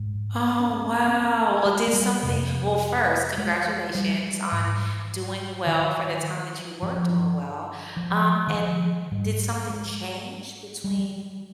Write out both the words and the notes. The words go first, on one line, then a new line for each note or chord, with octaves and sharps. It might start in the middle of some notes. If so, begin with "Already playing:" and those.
Oh, wow, well, did something well, first, congratulations on doing well for the time that you were doing well, um, and did something change between
Already playing: G#2
C#4
C4
C#4
C4
G#3
G#3
G3
F2 C3
G#3
G3
G#2
D#3
G2 F3
F3
D#3
F3
G#2 G3
G#3
G3